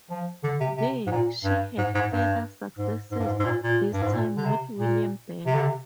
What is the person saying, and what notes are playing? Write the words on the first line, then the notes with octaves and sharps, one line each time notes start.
There she had further successes, this time with William Bell.
F3
D3
C3
C3
G#2
A#2
G2
G#2
G#2
G2
G#2
G#2
G2
G#2
G#2
A#2
A#2
G2
G#2
A#2
D3
C3
A#2
C3
D3
C3